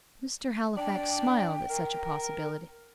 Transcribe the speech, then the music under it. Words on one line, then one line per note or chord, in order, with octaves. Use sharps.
Mr. Halifax smiled at such a possibility.
D4 D5 G5
A#4